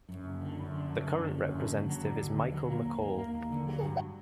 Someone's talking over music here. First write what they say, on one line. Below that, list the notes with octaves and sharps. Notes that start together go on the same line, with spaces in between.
The current representative is Michael McCaul.
F#2
F#1
D3
F#2
D3
F#2
D3
F#1
F#2
D3
F#1
F#3
D3
D#2
D3
F#3
A#3
D#2
A#3
A#3
D#2
D3
F#3
G2